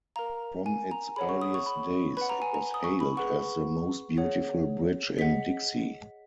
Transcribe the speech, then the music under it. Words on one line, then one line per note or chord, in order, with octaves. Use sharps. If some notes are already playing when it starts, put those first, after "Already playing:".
From its earliest days, it was hailed as The Most Beautiful Bridge in Dixie.
A#4 F5 A#5
G#5
A#5
G#4 C#5 F#5 B5
C#6
D#6
C#6
B5
B4 F#5 B5
A#5
G#5
A#5
D#6
C#6
B5
G#4 B4 F#5 C#6
G#4 C#5 F#5
G#4 D#5 F#5 B6